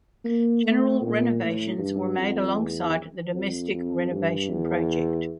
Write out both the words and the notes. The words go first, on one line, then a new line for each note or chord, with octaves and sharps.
General renovations were made alongside the domestic renovation project.
A#3
A3
A#2
A2
G2
F2
E2
F2
F2
G2
E2